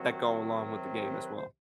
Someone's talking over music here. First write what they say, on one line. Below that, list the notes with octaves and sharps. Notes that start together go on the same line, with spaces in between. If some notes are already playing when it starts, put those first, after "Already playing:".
that go along with the game as well.
Already playing: C2 C3 D#3 F#3 C4 F#4
F#4
G4
B4
B4
C5